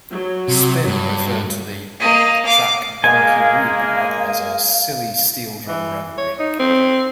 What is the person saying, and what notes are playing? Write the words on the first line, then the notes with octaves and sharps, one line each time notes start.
"Spin" referred to the track "Donkey Rhubarb" as a "silly steel drum reverie".
F#3
C3
G2
A#3 D#5
F5 D6
G#3 A#3 F5 G#5
E3
C#5
D#4
C4